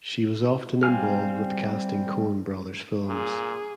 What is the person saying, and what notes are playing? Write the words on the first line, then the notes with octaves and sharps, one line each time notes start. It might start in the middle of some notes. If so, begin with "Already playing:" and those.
She was often involved with casting Coen brothers films.
G3 C4 F5 G#5 F6
A#2 G#4